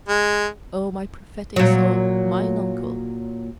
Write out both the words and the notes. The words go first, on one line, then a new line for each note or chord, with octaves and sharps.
"Oh, my prophetic soul, mine uncle."
G#3
A#2 F#3